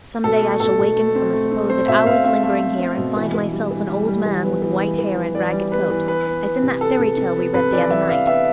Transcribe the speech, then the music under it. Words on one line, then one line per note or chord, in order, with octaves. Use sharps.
Some day I shall waken from a supposed hour's lingering here and find myself an old man with white hair and ragged coat, as in that fairy tale we read the other night.
B2 A4
A3
B2 A4
B2
A3
C4
A3
C4
C4 C5
B2 E5
B2 F5
C4 E5
A3 E5
A3
C4
B2
E3
E3
G3
E3
G3
G3
E3
B3
E3
E3
E3
B3
E3 D5
G3
B3 B4
E3
B3 B4
B3
B3
C3
B3 A4
C3
C3
B3
C3 B4
E3 D5
E3 E5
E3 F5
B3 E5